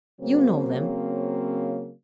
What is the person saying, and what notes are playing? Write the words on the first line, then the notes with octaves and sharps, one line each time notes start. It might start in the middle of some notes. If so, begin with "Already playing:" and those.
"You know them."
C#3 F#3 A#3 C4